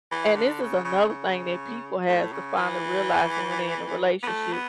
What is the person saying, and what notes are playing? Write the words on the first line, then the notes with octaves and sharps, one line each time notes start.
And- this is another thing that people have to finally realize that when they in a relationship-
E3
D3
C#3
C#3
C#3
A2
C#3
E3
B3
A3
B3